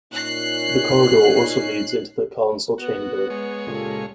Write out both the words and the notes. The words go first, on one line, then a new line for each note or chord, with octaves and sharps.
The corridor also leads into the Council Chamber.
A#2 C#4 D#4 F#6 C7
B3 F#4
G#3 C#5
C#2 A#2 F4 G4 A4